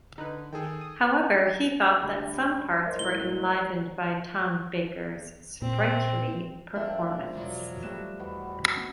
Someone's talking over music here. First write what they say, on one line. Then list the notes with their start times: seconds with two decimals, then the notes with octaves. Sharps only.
However, he felt that some parts were "enlivened by Tom Baker's sprightly performance".
0.18 D3 D#4 B4
0.53 D#3 G#4 A4 G5
0.81 D#6
2.02 D2 G3 D4 B5
2.85 A#4 C5 D#5
2.99 A2 G3 G7
5.62 A#2 C4
6.76 F3 A3 D4 A#4 E5 F5 G5
7.37 E1 F#3 D5
7.83 G3 A3 F#6 E7
8.19 E2 B2 B3